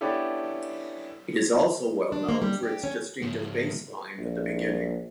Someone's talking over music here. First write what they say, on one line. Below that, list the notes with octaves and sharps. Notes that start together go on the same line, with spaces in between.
It is also well known for its distinctive bass line at the beginning.
B3 C#4 D4 E4 G4 A4
D4
A#3
G3
G4
C#4
C#2 G#2
A#1